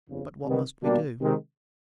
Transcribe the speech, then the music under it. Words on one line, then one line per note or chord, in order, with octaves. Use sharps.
But what must we do?
G1 F2 C#3
C3 D#3 G3 B3
B2 G3 A#3 D4
C3 D#3 G#3 C4